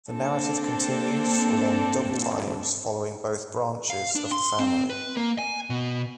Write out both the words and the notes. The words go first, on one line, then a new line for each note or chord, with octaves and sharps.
The narrative continues along double lines, following both "branches" of the family.
A#3 C4 D4 A4
F5
D4
C6
C4
B4
A#3
G#5
B2